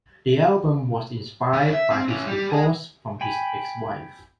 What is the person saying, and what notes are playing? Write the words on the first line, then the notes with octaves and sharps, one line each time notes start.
The album was inspired by his divorce from his ex-wife.
C#3
E5
C4
C#4 E4
G3 G4
G#4 D#5
G5 G#5 B5